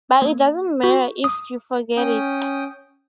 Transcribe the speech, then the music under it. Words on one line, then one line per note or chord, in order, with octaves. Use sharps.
But it doesn't matter if you forget it.
A#3
F#4
D#6
C#4 G5 D#6